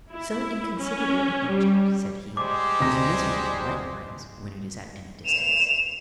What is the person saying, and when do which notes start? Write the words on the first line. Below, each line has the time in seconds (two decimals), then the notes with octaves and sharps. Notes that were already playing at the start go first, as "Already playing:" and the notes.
So inconsiderable an object, said he, is misery to light minds, when it is at any distance.
0.11 E4
0.79 C#4
1.49 G3
2.37 G3 G#3 C5 D6
2.80 D2 C3 A#6
5.26 E7 F7